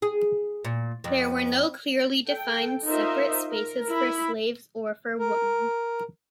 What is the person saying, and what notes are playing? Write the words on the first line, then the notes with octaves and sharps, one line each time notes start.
There were no clearly defined separate spaces for slaves or for women.
G#4
A#2
F2
A4 G5
D#4 F4 A#4 C5 D#5 E5
A#4
E4 B5
A#4